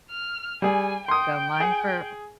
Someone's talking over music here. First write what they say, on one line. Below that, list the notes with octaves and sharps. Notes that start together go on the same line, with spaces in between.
go mine for
F6
G3 G#4 G#5
G5 C6 D#6
G#4